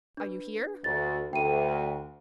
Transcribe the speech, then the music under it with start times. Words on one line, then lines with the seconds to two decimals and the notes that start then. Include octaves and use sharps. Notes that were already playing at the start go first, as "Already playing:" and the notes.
"Are you here?"
0.17 D4 B4
0.84 D2 A6
1.33 D2 G5 D#7